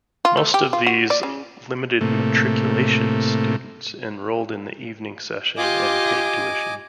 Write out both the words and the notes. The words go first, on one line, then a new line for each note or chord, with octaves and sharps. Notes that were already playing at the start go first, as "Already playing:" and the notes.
Most of these "limited matriculation" students enrolled in the Evening Session, and paid tuition.
F4
A3
G4
F4
F#4
D5
C#3
A2 C3 A3 A#3
F4 G4 D#5 G#5 D6